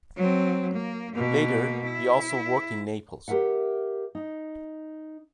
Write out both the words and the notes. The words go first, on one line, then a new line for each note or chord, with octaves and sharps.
Later he also worked in Naples.
F#3 C4
A#3
B2 A#3
E4
G4 G#4 A#4 E5 F#5
D#4